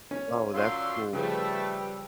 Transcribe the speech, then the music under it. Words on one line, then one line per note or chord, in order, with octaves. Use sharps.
Oh, that's cool.
C#4
F#2 D3 F4 D5 C6 E6
C#3 F3 G3 A3 B4 G5 E6